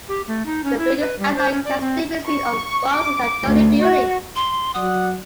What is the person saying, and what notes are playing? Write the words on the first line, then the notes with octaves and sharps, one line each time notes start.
The building's outline can still be seen on what was the adjoining building.
G4
A3
D#4
C#4
E4
B4
G3
C5
C#4
D5
C4
C#6
D6
D2
F#4
C6
F#3 D5 F#5 D#6